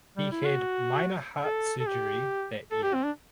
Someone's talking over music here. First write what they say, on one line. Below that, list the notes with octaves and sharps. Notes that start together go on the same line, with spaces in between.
He had minor heart surgery that year.
G3
E4
F#4
A4
A4
G4
A4
G4
C4
D4